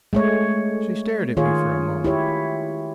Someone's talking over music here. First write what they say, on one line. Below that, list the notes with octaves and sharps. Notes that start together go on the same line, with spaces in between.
She stared at me for a moment.
G#3 A3 C#5
D#3 F4 G#4 C#5
E4 G4 C#5